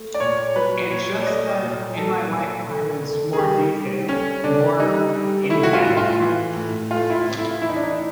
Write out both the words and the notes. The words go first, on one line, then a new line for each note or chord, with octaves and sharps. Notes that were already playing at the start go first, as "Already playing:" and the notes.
Its just that 'In My Lifetime' is more detailed, more in-depth.
Already playing: A3
D5
A#2 C#5
F#3 B4
A#2 C#5
D5
A3 D#5
A#2
F#3 A4
A#2
D3
D3
G#4
G3 G4
G3
D3 C#4
D3 D4
G3 D#4
G3
A3 E4
F#4
F4
A2
F4
E3
A2
A3 F4
E4
F4
A2
E4
E3 E4
D#4
D4
D#4